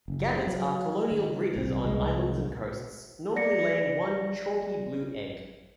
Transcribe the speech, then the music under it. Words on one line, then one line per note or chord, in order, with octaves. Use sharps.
Gannets are colonial breeders on islands and coasts, normally laying one chalky, blue egg.
F#1
F#3
D#3
C2 C4
C2 G#3
D5 A#6 C#7